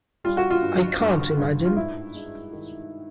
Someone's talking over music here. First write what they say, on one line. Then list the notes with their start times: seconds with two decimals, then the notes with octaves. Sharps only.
I can't imagine.
0.24 G3 F4
0.37 F#4
0.50 F4
0.62 G2
1.00 G2
1.38 G2
1.65 F4
1.76 G#2 E4
2.15 G#3
2.53 D#3